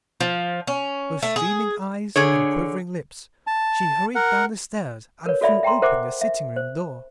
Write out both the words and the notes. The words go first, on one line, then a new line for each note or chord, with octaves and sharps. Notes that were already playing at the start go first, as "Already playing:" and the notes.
With streaming eyes and quivering lips she hurried down the stairs and threw open the sitting-room door.
F3
C#4
A3
G#4
D3 G#4 C#5
A5
A#4 F#5
A#4 B4 C#5
F#4 A4 D5 E5 B5
E5 G5 A#5 C6
A#4 C5 E5 F#5 D6
E5
C5